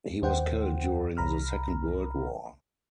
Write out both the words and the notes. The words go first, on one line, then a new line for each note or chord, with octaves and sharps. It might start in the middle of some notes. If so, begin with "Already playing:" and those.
He was killed during the Second World War.
D#2 C5 F#5 G5
C2 A#5 B5 F6